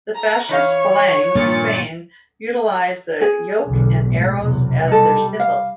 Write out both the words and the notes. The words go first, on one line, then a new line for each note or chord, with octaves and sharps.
The fascist Falange in Spain utilized the yoke and arrows as their symbol.
A#5
E3 C#5 F5
G2 A#2 D#3 F3 A6 C#7
G#4
B1 E2 D3
A2 G#3
B1 E2 C3
G3 D#4 A4
F5